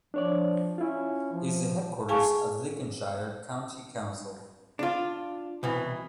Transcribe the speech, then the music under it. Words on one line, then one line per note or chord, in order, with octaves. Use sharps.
It is the headquarters of Lincolnshire County Council.
F3 D4 C#5 D5
C#4 E4 F4
F3
G#4 F5 G#5 A5 C#6
D4 F4
C2 B2 E3